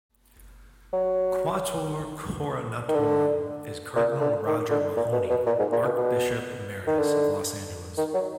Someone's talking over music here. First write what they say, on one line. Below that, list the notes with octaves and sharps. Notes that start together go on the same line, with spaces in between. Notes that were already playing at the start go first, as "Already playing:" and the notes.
Quattuor Coronatorum is Cardinal Roger Mahony, Archbishop Emeritus of Los Angeles.
F#3
D#3
D3
A#2
D3
D#3
D3
A#2
B2
B2
A#2
G#2
A#2
B2
B2
D#3
D3
D#3
F#3